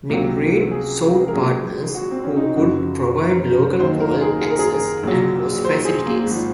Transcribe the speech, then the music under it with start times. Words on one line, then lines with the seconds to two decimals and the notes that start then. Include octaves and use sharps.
Nick Green sought partners who could provide local call access and Host facilities.
0.10 C#2 C3 F#3 A#3
0.71 G#4
1.28 A#4
1.33 A#1 A#2 F#3 G#4
1.95 F#4
2.11 C4
2.24 C#4
2.36 D#4
2.56 F#1 F#2 C#3 F3 F#4
3.18 A#4
3.80 D#2 D#3 F#3 C5
4.00 A#4
4.21 G#4
4.41 G#4
4.51 A#4
4.59 G#4
5.03 A#1 A#2 F#3
5.65 C5
5.85 G#4
6.06 A#3
6.27 G#1 F3